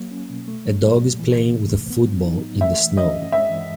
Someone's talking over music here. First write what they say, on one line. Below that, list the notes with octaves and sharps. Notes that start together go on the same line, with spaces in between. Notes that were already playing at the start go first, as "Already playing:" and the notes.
A dog is playing with a football in the snow.
Already playing: F#3 A#3
C#4
B2
A3
F#3
A#2
A#2
E3
C3
A3
E2
B3
F#3
D#4
A2
A3 E5
E3
C#4 D#5
G2
G#3 E5
E3